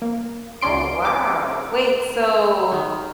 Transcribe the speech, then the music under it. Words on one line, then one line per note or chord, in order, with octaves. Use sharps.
Oh, wow, wait, so,
A#3
C#2 C#4 D5 C6 D7
D6
D#3